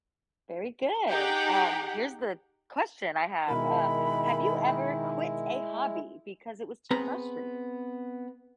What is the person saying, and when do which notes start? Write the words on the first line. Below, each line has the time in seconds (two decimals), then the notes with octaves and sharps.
Very good, um, here's the question I have, uh, have you ever quit a hobby because it was too frustrating?
1.07 D#4 G4 G#4 F#5 G5
3.48 B2 D#3 G#3 E4 A#4 B5
6.91 B3 C4 G#4 B4 A#5